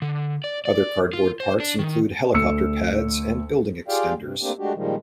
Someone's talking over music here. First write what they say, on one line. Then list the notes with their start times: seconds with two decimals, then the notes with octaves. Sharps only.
Other cardboard parts include helicopter pads and "building extenders".
0.02 D3
0.44 D5
0.65 D5
1.13 F4
1.40 C5
1.60 D4
1.79 D#3
2.34 D2 E6 C#7
3.88 F4 G4 G#4 D5 F5 G5
4.18 G2 C3
4.41 A3 A#3 C4 D4 G4
4.59 G#3 A3 D4 F#4 G4
4.74 A#2 D#3 F3 G3 G#3